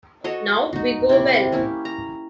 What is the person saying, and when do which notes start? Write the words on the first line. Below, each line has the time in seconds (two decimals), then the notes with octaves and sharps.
Now we go well!
0.24 F#4 A4 C#5 D#5
0.73 D#4 F#4
1.09 C3 E4 D6
1.52 A#3 C#4 E4 G4
1.85 A#5